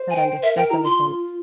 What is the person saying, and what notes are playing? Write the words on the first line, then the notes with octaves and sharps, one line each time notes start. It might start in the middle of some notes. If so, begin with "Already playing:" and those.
That under that's understand
Already playing: C5
G#5
G5
A#4 E5
A#4 G5
E4 A#5
F4 C6